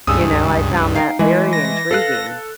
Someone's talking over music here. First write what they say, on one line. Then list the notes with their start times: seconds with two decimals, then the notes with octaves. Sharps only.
You know, I found that very intriguing.
0.07 C#2 G2 C#3 D#6 E6
0.95 D#4 F5 G5
1.19 E3 G#3 A3 E5
1.53 A#6
1.91 A4 B4 F5 F#6